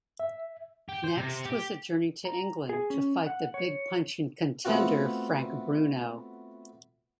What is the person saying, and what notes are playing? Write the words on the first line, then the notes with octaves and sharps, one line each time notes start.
Next was a journey to England to fight the big-punching contender Frank Bruno.
E5
G4
C5
C3
G4
A#5
G#4
C#4
F#5
C#5
A3 B3 C4 F4 F#4